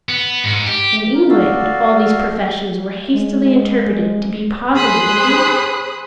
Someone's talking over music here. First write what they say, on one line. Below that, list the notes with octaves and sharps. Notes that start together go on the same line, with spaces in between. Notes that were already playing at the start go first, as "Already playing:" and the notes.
In England, all these professions were hastily interpreted to be positive engagements.
B3
G#2
G4
A#4
F#4 A4 D5 F5
G#3
G#4 C5 B5 D#6 F#6